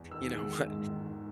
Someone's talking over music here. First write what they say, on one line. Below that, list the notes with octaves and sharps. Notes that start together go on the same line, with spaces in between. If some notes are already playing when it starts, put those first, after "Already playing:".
you know what,
Already playing: E2
D#3 E6
G#3
D#3
G#2
D#3
D#3